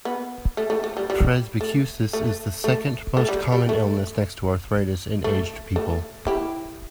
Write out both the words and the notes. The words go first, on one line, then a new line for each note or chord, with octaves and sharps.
Presbycusis is the second most common illness next to arthritis in aged people.
B3
A3
A3
A3
G3
G3
A3
A3
A3
A3
G3
G3
A3
A3
A3
E4 G4